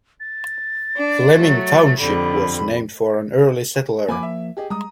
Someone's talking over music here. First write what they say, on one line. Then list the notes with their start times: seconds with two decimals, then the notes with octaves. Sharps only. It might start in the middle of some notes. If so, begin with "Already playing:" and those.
Fleming Township was named for an early settler.
0.20 A6
0.96 D4
1.37 F#3 A3
1.99 F2 D3 G3 B5
4.08 F3 A#3 G#5 B5 D6
4.23 E5
4.57 G4 G#4 D#5
4.70 G3 G#3 A#5 D#6